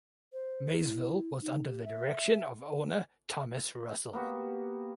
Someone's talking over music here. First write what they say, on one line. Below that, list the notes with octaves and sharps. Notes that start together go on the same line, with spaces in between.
Maysville was under the direction of owner Thomas Russell.
C5
E4
D#4
G4
E5
A#3 B3 F#4 G4